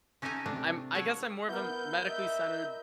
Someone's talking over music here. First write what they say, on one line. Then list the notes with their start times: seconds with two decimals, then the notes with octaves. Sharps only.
I'm I guess I'm more of a medically centered
0.22 C#4 D#4 G4 A4 G#5 A#5
0.46 C3 A3 D4
0.95 A4 C#5 F#5 A5
1.48 B3 E4 A#4 G6
2.05 D#5 E5